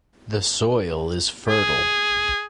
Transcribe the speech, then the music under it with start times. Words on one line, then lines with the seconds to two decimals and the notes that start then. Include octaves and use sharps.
The soil is fertile.
1.48 G#4